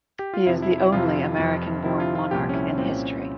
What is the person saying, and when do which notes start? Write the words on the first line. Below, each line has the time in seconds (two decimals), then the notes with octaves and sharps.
He is the only American-born monarch in history.
0.19 G4
0.34 F4
0.46 F2 C3 F3 E4
0.62 E4
0.78 E4
0.92 F2 C3 F3 F4
1.39 F2 C3 F3
1.85 F2 C3 F3 E4
2.00 F4
2.15 F4
2.31 C2 A#2 F3 G4
2.49 C#4
2.54 E4
2.73 C#4
2.77 C2 A#2 F3 C4